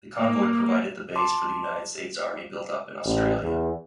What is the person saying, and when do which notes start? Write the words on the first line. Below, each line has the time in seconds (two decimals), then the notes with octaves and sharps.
The convoy provided the base for the United States Army buildup in Australia.
0.19 A#3
1.16 A5 C6 D6
3.05 A1
3.42 E2